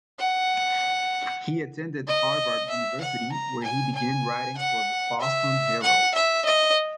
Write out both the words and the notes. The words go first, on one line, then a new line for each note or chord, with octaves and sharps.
He attended Harvard University where he began writing for the Boston Herald.
F#5
D#5
E5
F#5
A#5
G#5
G#5
F#5
E5
F#5
E5
D#5